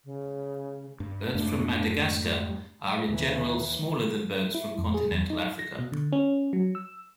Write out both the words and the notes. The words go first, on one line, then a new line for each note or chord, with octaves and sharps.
Birds from Madagascar are in general smaller than birds from continental Africa.
C#3
G2
F2 G#2 A3 D4
G3
D#2 E3
E4
F2
G#4
E2
D#4
A#6
B2
D3
C#4
F#3
E6